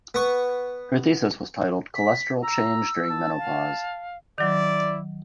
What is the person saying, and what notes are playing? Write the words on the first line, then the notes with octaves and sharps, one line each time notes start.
Her thesis was titled "Cholesterol change during menopause".
B3 C#6
B6
A#5 E6
A5
F5
D#3 F#3 E4 D5